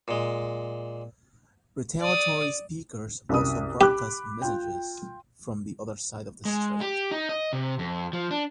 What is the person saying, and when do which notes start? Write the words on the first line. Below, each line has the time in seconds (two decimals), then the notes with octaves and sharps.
Retaliatory speakers also broadcast messages from the other side of the Strait.
0.08 A#2 G#3
2.01 D5 D#6
3.29 C2 F#2 D#6
3.81 G4 B5 D6 F#6
4.42 F4 G5
6.45 G#3
6.81 G4
7.11 D#4
7.29 D#5
7.53 C3
7.79 F2
8.13 F3
8.31 D4